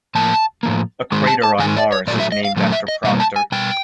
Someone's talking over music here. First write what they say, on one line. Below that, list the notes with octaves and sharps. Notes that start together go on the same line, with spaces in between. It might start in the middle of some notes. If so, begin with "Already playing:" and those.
A crater on Mars is named after Proctor.
A2 F3 A#3 A5
A2 F3 A#3
G#2 D#3 G#3
A5
A5
G#2 D#3 G#3 G#5
D5
C#5
A#2 F#3 A3 D5
E5
D#5
F5
A#2 F#3 A3
E5
D#5
B2 G3 A#3 E5
A5
G#5
B2 G3 G5